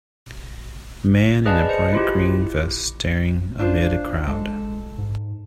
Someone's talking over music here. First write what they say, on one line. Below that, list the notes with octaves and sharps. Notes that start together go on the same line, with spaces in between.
Man in a bright green vest staring amid a crowd.
G#4 B4 D5 D#5 F5 A5
C5 D#5 C#7
E4 F4 G4
D4 F4 C5
G#3 A4
G#2